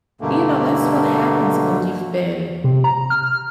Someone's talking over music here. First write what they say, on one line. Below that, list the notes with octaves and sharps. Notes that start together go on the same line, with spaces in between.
you know, that's what happens when you've been
G2 B2 D3 A3 A#3
C3
A#5
F6